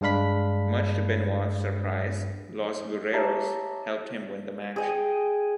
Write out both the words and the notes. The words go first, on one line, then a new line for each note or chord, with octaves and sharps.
Much to Benoit's surprise, Los Guerreros helped him win the match.
G2 G#3 D4 F5 B5 B6
G4 C#5 D#5 E5 A5 A#5
G#4 D#5 G5